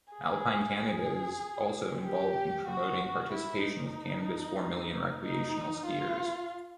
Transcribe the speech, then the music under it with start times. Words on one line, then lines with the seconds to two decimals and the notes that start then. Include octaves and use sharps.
Alpine Canada is also involved in promoting participation within Canada's four million recreational skiers.
0.13 G#4
2.03 G4
2.67 F#4
3.32 E4
3.62 D#4
5.21 D#4
5.85 F4